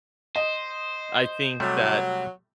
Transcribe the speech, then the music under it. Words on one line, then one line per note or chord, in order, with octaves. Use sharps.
I think that,
C5 D#5
C3 F#3 G3 A3